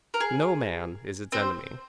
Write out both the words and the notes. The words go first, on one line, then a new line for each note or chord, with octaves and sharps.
No man is its enemy.
A#4
G#4
C4 C5